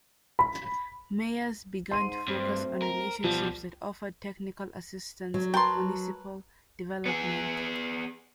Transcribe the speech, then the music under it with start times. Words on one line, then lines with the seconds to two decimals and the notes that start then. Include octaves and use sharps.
Mayors began to focus on relationships that offered technical assistance in municipal development.
0.39 B5
1.91 G#2 C6 D#7
2.28 G2 F#3 A3 C4
2.82 A#4
3.24 B2 F3 G3
5.34 F#3
5.54 A#4 B4 G5 A5 C6
7.06 B3 G#4